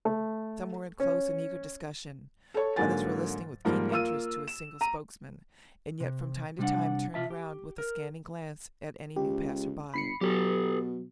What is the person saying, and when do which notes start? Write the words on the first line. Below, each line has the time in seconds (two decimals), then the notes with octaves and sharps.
Some were in close and eager discussion; others were listening with keen interest to a single spokesman, and yet from time to time turned round with a scanning glance at any new passer-by.
0.05 A3
1.00 C#4
2.54 A4 C#5
2.76 G#2 D3 F#3 A#3 G#5 A6
3.65 G#2 F3 G3 A#3
3.90 A#3 F4 E6 D#7
4.48 E7
4.81 A#5 D#7
6.00 C3
6.59 C3 G3 D4 F#5
7.14 C3 F4 E5 A5
7.30 G4
7.78 A#4
9.16 C#2 G4
9.94 G1 B5 C7 C#7
10.21 B2 F#3 G4 A4